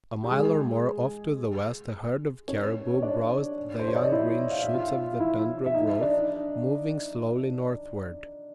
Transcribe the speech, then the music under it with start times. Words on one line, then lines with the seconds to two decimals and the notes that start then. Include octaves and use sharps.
A mile or more off to the west a herd of caribou browsed the young green shoots of the tundra growth, moving slowly northward.
0.24 G4
0.31 G#3 G#4
2.48 C#4 C#5
2.94 C#5
3.02 D4 D5
3.79 C5
3.88 C#5
3.96 D5
4.04 D#5
4.12 E4 E5
4.51 F5
4.62 E5
4.74 F4 F5
5.20 E4 E5
5.66 E5
5.74 D#4 D#5
6.01 D4 D5